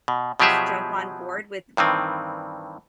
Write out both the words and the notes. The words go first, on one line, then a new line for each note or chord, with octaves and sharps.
just jump on board with
B2
B2 F3 F#3 G4 G#4 E5
G2 D#3 E3 C4